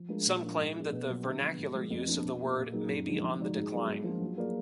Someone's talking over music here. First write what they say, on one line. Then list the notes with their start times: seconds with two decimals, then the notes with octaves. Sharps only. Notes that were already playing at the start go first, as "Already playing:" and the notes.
Some claim that the vernacular use of the word may be on the decline.
Already playing: F3
0.09 G#3 D4 F4 A#4
0.26 A#2
0.42 F3 A#3 D4 F4
0.59 G#2
0.75 F3 B3 D4 G#4
0.92 B2
1.09 F#3 A#3 F4
1.24 D3
1.41 F3 B3
1.58 G#2
1.74 F3 G#3
1.90 F2
2.07 F3 A#3 D4
2.23 B2
2.40 A#3 F4
2.57 A#2
2.73 F#3 A#3 D#4 G#4
2.89 F#2
3.06 D3 F3 G#3 D#4
3.22 F3
3.39 G#3 D#4 F#4 D5
3.56 G#2
3.71 F#3 B3 F4 G#4
3.88 G#2
4.04 F3 A#3 D4 F4
4.21 F#3
4.37 A#3 F4 G#4 D5